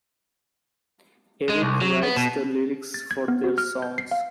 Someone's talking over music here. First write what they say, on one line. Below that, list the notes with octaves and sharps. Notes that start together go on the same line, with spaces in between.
Eric writes the lyrics for their songs.
G#3
C2
F#3
B3
B2
A6
G#6
B3
F#4
F6
G6
C7
F5